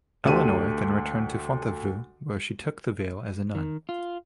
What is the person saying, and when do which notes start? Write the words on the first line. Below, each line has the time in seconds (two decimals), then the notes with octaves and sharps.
Eleanor then returned to Fontevraud where she took the veil as a nun.
0.25 D2 A3 D4 G4 D#7
3.55 D#3
3.89 F4